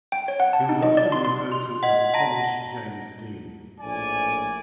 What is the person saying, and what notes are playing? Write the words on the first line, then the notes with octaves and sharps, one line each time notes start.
He was often referred to as "the Polish James Dean".
G5
C#5
F#5
A5
D#4
D#5
D5
C6
C6
C6
D#5 F#5
F#5 A5 A#5 A#6
A#1 A2 D5 G#5